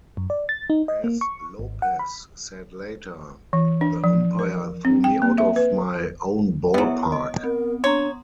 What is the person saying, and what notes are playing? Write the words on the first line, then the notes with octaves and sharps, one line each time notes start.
As Lopez said later, The umpire threw me out of my own ballpark!
F#2
D5
A6
D#4
D#5
A#3
C#6
G#1
F#5
B5
E3
D4
F3
A#4
C4
G5
A#3
E5
B4
B2 F#3 B3 E4 E5
D#5
C4 A#4
D4 C#5 A#5 C6